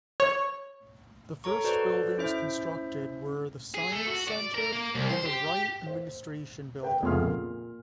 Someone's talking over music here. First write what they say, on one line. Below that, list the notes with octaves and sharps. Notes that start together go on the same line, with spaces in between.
The first buildings constructed were the Science Center and the Wright Administration Building.
C#5
A4 C#5 A#5 C#6
F#4 A4 B4 C5 D5
C#4 E4 C5 E5
G#4
A3
F#4
D5
A#4
A#3
C2
C5
G4
C5
B4 G5
F1 C#2 B3 G#4 C6 F6
A#2